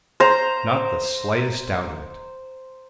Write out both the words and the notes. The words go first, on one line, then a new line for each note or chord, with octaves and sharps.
"Not the slightest doubt of it."
C5 A#5